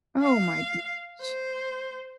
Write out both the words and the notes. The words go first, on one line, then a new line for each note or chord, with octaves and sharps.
Oh my gosh.
F5
C5